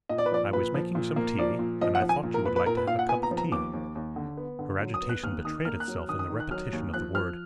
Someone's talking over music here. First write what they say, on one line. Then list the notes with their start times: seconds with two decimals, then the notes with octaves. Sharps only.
"I was making some tea, and I thought you would like to have a cup of tea." Her agitation betrayed itself in the repetition of the word.
0.09 A#2 D#5
0.18 D5
0.26 B4
0.32 F3 D5
0.53 A#2 B4
0.74 F3
0.95 A#2
1.16 A#3
1.39 F3 D5
1.59 A#2
1.81 F3 D#5
1.95 F#5
2.02 F3
2.09 G#5
2.23 A#2
2.34 A#4
2.45 A#2 B4
2.56 B4
2.66 A#2 A#4
2.77 B4
2.87 A#2 F5
2.99 F#5
3.09 B3 G#5
3.23 A#5
3.31 F3
3.38 A#5
3.52 D#2 D6
3.73 D#2
3.95 D#2
4.16 D3
4.37 B3
4.59 D3
4.80 F#3
4.94 D#6
5.02 B3
5.09 F#6
5.23 D#2 F6
5.45 D#3 D#6
5.65 A#3 F6
5.80 F#6
5.88 F#3
6.08 D#3 D#6
6.19 D#6
6.30 D#3
6.40 F#6
6.51 F#3 F6
6.73 D#2
6.94 F3 F#6
7.15 F3 F6